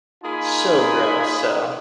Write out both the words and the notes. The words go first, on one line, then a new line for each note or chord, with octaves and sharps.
So gross, so
A#3 D#4 F4 G#4 G#5 B5